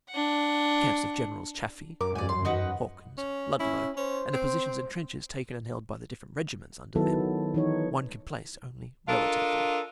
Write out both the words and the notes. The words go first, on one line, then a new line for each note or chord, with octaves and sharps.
The camps of Generals Chaffee, Lawton, Hawkins, Ludlow, and the positions and trenches taken and held by the different regiments under them one can place only relatively.
D4 F#5
F#2 A#4 D6
E2 G2 D5 G#5
C6
D#4 F#4 B4
C#4
C#4 E4
C#4 C5
C4
D#3 F#3 B3 E4 A4
E3 D#4 C#5
D4 F4 A4 A#4 D#5 F5